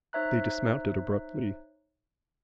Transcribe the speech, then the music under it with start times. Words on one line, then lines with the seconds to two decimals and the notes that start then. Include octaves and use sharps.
They dismounted abruptly.
0.13 D#4 C5 C#5 E5 A#5 F#6